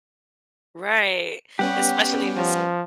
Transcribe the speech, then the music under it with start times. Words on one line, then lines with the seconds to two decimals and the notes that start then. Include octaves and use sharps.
Right, especially if it's
1.59 G3 B3 C#4 G4 F#5
2.37 F3